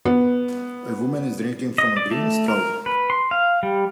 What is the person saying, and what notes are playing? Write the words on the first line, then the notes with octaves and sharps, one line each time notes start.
A woman is drinking from a green straw.
B3
D#5
D5
A3
A#4
B4
C6
F5
G3